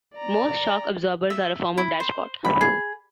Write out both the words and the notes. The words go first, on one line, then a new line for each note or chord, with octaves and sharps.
Most shock absorbers are a form of dashpot.
D5 A#5
E5
E4
C5
B5
G#4